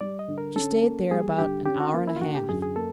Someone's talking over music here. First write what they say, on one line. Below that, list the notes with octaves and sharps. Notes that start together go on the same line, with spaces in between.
She stayed there about an hour and a half.
G3 D5
D#5
D3
A#4
C#4 A4
A#3
G3 G#4
D3 G4
C#4 G4
F#4
A#3 F4
E4
F4
D3 F#4
G4
F#2 G#4
G#4
A#3 A4